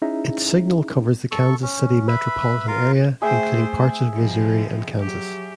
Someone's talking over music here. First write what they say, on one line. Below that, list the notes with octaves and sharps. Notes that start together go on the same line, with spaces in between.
Its signal covers the Kansas City metropolitan area, including parts of Missouri and Kansas.
C#4 D#4 E4 G#4 E5 A#5
A4 C#6
C#4
B4 E5 B5
F4 A#4 F5
A3 G#4 C5 E5 G5
B2 F3
F#3 G4